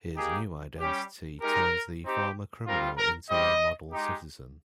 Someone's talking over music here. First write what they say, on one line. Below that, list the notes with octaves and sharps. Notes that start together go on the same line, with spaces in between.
His new identity turns the former criminal into a model citizen.
A#3 D#4 G4 G#4
G3 C#4 G4
G#3 D#4 G4 A#4
C4 D#4 G4
G3 C4 F4 A#4
A#4
G3 C4 G4 D#5
G#3 D#4 G4